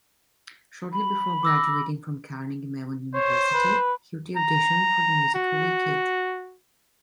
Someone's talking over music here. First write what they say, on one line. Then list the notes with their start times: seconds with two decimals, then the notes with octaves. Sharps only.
Shortly before graduating from Carnegie Mellon University, Hilty auditioned for the musical "Wicked".
0.93 B5
1.43 D6 E6 A#6
3.15 C5 C#5
3.53 B4
4.36 A#5
5.35 F#4